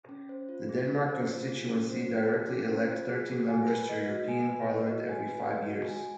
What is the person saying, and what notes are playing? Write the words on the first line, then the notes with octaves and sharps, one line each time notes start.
The Denmark constituency directly elects thirteen members to the European Parliament every five years.
C#4
C5
F4
G#4
C#4
C5
F4
G#4
C#4
C5
F4
G#4
C#4
C5
F4
G#4
F#4
G#5
B4
D#5
F#4
G#5
B4
D#5
F#4
G#5
B4
D#5
F#4
G#5